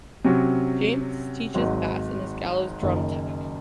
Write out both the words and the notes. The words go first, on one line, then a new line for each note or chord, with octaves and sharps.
James teaches bass and is Gallows' drum tech.
C3 F#3 C#4
G#1 G#2 F#3
F#1 F#2 D#3